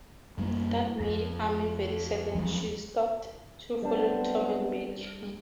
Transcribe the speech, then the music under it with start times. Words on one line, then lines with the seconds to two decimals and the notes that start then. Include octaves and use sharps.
That made Amy very sad and she stopped to follow Tom and Becky.
0.38 F#2 G3 A#3
1.00 F2
2.35 E2 F3 F#3
3.82 F#2 G3 B3 C4 D4